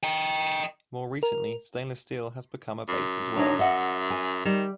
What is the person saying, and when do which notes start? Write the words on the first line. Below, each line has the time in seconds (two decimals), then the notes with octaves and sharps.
More recently stainless steel has become a base as well.
0.04 D#5 G5
1.23 A#4
2.89 F#2
3.36 D4 D#4 C#5
3.59 D#5 E5 F#5
4.10 G#5
4.45 D#3 G3